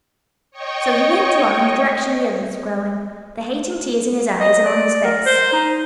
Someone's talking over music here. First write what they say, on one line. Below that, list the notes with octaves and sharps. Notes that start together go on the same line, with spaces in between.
So he walked along in the direction the others were going, the hating tears in his eyes and on his face.
C#5 D#5 G5 C#6
D#5
D5
A#4
C5
D#4